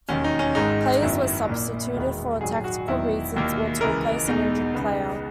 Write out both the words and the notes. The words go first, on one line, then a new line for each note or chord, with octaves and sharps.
Players were substituted for tactical reasons or to replace an injured player.
E1 D#2 D#3 C#4
D#4
C#4
G#1 G#2 D#3 G#3 D#4
F#1 F#2 D#3 F#3 B3 E4
A#1 A#2 A#3
E1 E2 D#3 G#3 B3
A#1 G#2 D#3 F#3 G#4
F#4
E1 E2 D#3 F#3 B3 E4
E1 D#2 D#3 A#3
C#2 C#3 E3 A#4
E2 B2 G#3 D#4
C#2 C#3 G#3 B3